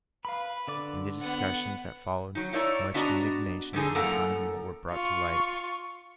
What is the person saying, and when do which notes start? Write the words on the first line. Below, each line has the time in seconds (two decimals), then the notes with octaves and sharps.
In the discussions that followed much indignation and economy were brought to light.
0.25 B4 F5 B5
0.68 D3 D5 D6
1.20 B3 F#5
2.35 F#3 D#4
2.53 D#4 E4 C#5 D5 A#5
2.94 B3 D4 F#4 D#5 A#5
3.73 F2 D3 D#4 G#4
3.95 F#2 A2 A#3 A4 F#5 A#5
4.90 F4 C#6